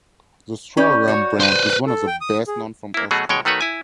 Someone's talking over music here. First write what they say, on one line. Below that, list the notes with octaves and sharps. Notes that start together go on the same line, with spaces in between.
The Stroh Rum brand is one of the best-known from Austria.
C#4 G4 D5 B5 G6
F#4 C#5
B4 C5
A4
G5
D#6
G#4
A#3 E4
B2 F#3 A3 F#4 G#4
B2 G#3 C#5 G5
D#3 A3 F#4 B4 C#5
E4 G#5